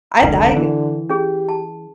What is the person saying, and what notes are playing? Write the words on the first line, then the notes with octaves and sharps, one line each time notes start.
I I
F1 C#2 D3 A#4 B4
E3
C#4 G4 G#4
A5